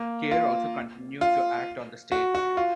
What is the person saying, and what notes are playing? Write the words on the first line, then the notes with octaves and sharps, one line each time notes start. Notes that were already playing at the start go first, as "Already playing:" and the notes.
Keir also continued to act on the stage.
Already playing: A#3
F4
F4
F#4
F#4
F4